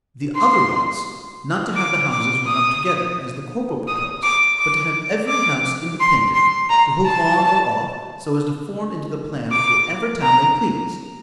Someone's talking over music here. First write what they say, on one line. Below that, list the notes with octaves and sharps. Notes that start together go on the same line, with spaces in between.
The other was, not to have the houses run up together, as the corporal proposed, but to have every house independent, to hook on, or off, so as to form into the plan of whatever town they pleased.
C6
D6
D6
D#6
D#6
D6
D6
D6
C6
C6
A#5
A5
D6
A#5